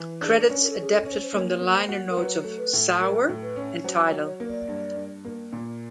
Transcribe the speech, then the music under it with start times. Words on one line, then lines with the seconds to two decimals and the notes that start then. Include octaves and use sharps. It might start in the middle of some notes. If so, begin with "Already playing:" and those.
Credits adapted from the liner notes of "Sour" and Tidal.
Already playing: E3
0.21 D4 G#4
0.33 A4
0.41 A#4
0.49 C#4 B4
0.62 A#4
0.70 A4
0.76 C#4
0.81 G#4
0.91 A4
1.05 C#4
1.12 C5
1.23 C5
1.32 A#3 C#5
1.61 A#3
1.75 C5
1.89 F#4
2.10 A#4
2.17 F#3 B4
2.44 A3
2.58 B4
2.73 A2
3.00 F#3 A#4
3.29 A2
3.42 B4
3.56 C#4
3.84 F#3 C5
4.06 C#5
4.12 F#3
4.26 C#5
4.40 A#3
4.47 D5
4.68 G2
4.96 G2
5.25 A#3
5.53 A#2